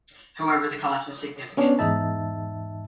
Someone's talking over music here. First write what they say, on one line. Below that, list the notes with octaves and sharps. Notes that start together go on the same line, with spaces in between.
However, the cost was significant.
B3 C#4 D4
E2 G#2 D#4 E5 A5